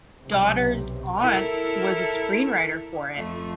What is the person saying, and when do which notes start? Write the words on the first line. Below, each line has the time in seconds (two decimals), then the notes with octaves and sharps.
daughter's aunt was a screenwriter for it,
0.23 B1 C3
1.17 E4 A4 A#4
3.17 F2 A3